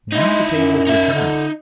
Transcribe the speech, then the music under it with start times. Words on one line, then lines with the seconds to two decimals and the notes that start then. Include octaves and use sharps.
Now the tables were turned.
0.12 G#3 D#4 E4
0.51 F#2
0.87 D#4 E5
1.13 D3